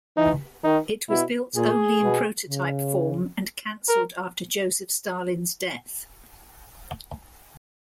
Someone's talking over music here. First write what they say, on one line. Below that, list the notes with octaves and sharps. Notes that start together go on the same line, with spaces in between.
It was built only in prototype form, and cancelled after Joseph Stalin's death.
E3 D#4
D#3 D#4
B2 E4
A#2 G#4
B2
C#3
A#4